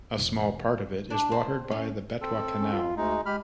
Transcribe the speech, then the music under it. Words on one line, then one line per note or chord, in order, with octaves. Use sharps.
A small part of it is watered by the Betwa Canal.
E1 E2
D4
C4
C#4
C4 A4
C#4
F4
D2 G#3 D#4
G#3 G4 B5 F6